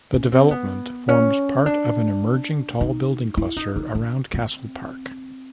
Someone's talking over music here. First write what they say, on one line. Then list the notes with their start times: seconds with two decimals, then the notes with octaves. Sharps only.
The development forms part of an emerging tall building cluster around Castle Park.
0.13 C#4
0.32 C4
0.51 B3
1.09 C#4
1.66 D4
2.81 D#4
3.37 E4
3.57 D#4
3.76 D#4
3.95 D4
4.34 C4